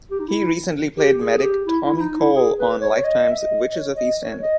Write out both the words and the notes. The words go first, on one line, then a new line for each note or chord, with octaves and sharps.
He recently played medic Tommy Cole on Lifetime's "Witches of East End".
G4
D#4
E4
G4
G#4
G#4
G4
E4
E4
E4
D#4
E4
G#4
B4
C#5
C#5
D#5
E5
D#5
D#5
C#5
D#5
C#5
D#5